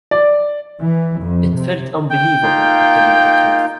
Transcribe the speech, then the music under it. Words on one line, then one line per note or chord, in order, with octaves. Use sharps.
It felt unbelievable, to tell you the truth.
D5
E3
F2
C3
G5
A#3 D#4 F4